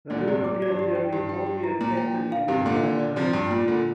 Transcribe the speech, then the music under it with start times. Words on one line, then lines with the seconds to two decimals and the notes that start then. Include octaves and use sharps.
The move appears to have been broadly effective in its own terms.
0.10 A#2 D3 D5
0.28 G2 C3 D5
0.44 A#2 D6
0.62 D5
0.68 G2
0.79 G4
0.95 G5
1.13 G2 G4
1.29 G5
1.47 G4
1.64 A#5
1.81 A#2 A#5
1.97 G5
2.15 D4
2.32 F5
2.48 G2 C3 G4
2.65 A#2 D3 D4
2.83 D5
2.99 D5
3.16 C3 F3 F4
3.33 G2 D5
3.50 A#2 F4
3.68 A#2 D3 F4